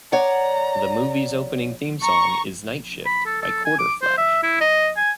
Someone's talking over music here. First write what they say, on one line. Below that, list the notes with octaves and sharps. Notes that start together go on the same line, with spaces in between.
The movie's opening theme song is "Night Shift" by Quarterflash.
C#5 D5 F#5 A#5
A#5 C#6
B5
A4
A4
G#5
D6
C5
E5
E4
D#5
G#5